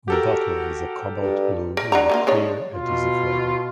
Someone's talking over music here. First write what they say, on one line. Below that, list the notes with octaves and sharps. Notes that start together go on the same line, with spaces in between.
The bottle is a cobalt blue with a clear, adhesive label.
F#4 G4 A4 A#4
G2
A#4
D4 F#4 A#5
A3 A#3 F4
G#3 D4 C#5
B2 F4